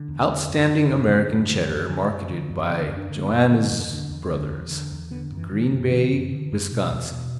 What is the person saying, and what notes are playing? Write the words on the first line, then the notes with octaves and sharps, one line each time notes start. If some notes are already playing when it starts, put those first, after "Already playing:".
Outstanding American Cheddar marketed by Joannes Brothers, Green Bay, Wisconsin.
Already playing: D3
E2
D3
F#2
D3
F#2
D3 F#3
F#2
D3
F#2
D3
F#2
D3
F#2
D3 B3
F#2
D4
D3
D4
B3
F#2
D3
E2
D3
E2
D3
E2
D3
E2
D3 B3
F#2
E3
D3 E3
D3
F#2
D3 E3
F#2
D3
F#2
B2
E2
B2